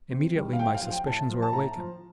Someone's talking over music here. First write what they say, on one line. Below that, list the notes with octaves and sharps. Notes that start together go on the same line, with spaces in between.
Immediately my suspicions were awakened.
C3
D#3 G3
F5
A2 G5
F5
F3
G5
A2 A5
F3
A5
A2 A#5
F3